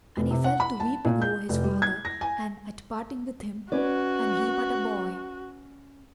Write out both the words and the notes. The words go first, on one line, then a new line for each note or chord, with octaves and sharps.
And he fell to weeping over his father and at parting with him, and he but a boy.
F1
C3
F#5
B5
A5
A#2
G6
F1
G3
G#6
A#6
G#5
C#4 F#4 B4 D5